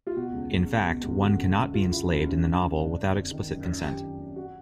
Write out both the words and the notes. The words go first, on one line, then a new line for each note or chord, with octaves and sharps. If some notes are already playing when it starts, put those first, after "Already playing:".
In fact, one cannot be enslaved in the novel, without explicit consent.
F4
B2 F#4
C#2
C#2
B2
B2
C#2
D3 F#4
F#2
F#2
D3 F4
D3 E4
F#2
D3 C#4
F2
F2
D3 D4
D3
F2
D#3
F#2
F#2
D#3 G4
D#3
F#2
F#4